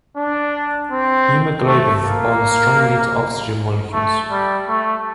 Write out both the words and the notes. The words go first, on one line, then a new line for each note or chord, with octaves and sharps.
Hemoglobin bonds strongly to oxygen molecules.
D4
C4
A3
A#3
A3
G3
A3